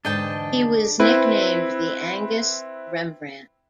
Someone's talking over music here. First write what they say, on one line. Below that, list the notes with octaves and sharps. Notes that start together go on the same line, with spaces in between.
He was nicknamed "The Angus Rembrandt".
E2 G#2 D3 D4 D#5 G5 A5
C4 E4 B4